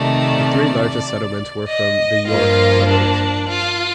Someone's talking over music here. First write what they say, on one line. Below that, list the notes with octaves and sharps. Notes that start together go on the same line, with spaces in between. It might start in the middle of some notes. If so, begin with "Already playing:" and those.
The three largest settlements were from the York suburbs.
Already playing: C3 D#3 A3 D5
D#5
G2 F3 A#3 F4
D4
F4